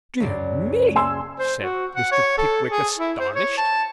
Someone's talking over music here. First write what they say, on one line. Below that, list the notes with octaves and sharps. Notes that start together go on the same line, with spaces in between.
'Dear me!' said Mr. Pickwick, astonished.
C#2 F#2 D5
G#5 C6 E6
C5
F#4
F#5
C#5
A4
G#4
E4
C5
C#5
A5